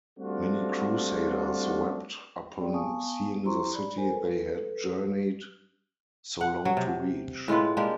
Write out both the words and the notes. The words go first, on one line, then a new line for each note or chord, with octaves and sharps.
Many Crusaders wept upon seeing the city they had journeyed so long to reach.
G3 A3 C4 D4 F4 F#4
C4 G#4 D5 G5
B3 F5 G#5 A5 C#6 D#6
E4 G4 C5 A#5 C6 C#6
D5 B5
G4 A#4 C5 G#5
A4 B4
F#5
F#3
C3
A2 G#3 F4 B4
G#3 A#3 D4 G4